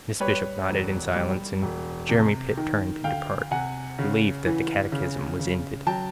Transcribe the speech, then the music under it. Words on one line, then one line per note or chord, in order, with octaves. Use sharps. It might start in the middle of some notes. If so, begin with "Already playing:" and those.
Miss Bishop nodded in silence, and Jeremy Pitt turned to depart, relieved that the catechism was ended.
G3 B4 C#5
E1
G3
E1
C3
D#3
D2 F5 G5
C3 F#5 G#5
C#3
E3
C#3
C#3
F#3 G5 A5